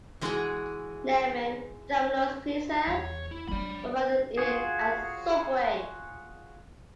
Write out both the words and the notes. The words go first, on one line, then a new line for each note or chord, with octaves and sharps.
Lemon, Domino's Pizza, Ramada Inn and Subway.
E3 G#3 C4 D#4 F#4 G#4
E2 C#5
E4
F#3 D4 D5 B5
F4 F#4 G#4